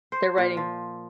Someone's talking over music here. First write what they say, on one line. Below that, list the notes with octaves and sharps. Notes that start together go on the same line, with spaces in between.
Their writing.
C5
A#2
F3